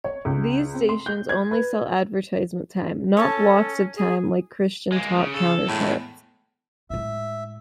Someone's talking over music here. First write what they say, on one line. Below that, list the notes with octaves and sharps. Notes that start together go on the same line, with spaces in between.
These stations only sell advertisement time, not blocks of time like Christian Talk counterparts.
C#5
C#2
C4
C6
G6
G#6
B4
C#4 A4 C#5 A5
G#4
G#3 A#3
C#3
C#3 A4
E2 A2 G#3
A2 G#3 E5